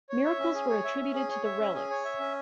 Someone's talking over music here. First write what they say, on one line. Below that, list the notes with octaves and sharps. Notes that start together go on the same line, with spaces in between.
Miracles were attributed to the relics.
C#5
E5
C#4
G#4
C#5
E5
C#4
G#4
C#5
E5
C#4
G#4
C#5
E5
C#4